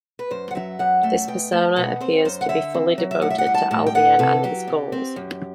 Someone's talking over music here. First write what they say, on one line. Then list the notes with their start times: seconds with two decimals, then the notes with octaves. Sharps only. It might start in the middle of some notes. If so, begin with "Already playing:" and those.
This persona appears to be fully devoted to Albion and his goals.
0.19 B4
0.31 F#2 C5
0.51 F#5
0.55 F#3 E5
0.79 F#2 F#5
1.03 A3 E5
1.28 B2 G5
1.52 A3 A5
1.76 B2 F#5
2.00 C4 C5
2.25 F#2 C5
2.41 F#5
2.49 D3 E5
2.74 C4
2.98 F#3
3.11 E5
3.22 A2 F#5
3.30 E5
3.38 F#5
3.46 G3
3.54 A5
3.71 A2 A5
3.87 G5
3.95 B3 F#5
4.19 C3 A4
4.44 F#3 G4
4.68 C3
4.92 C4
5.16 F#2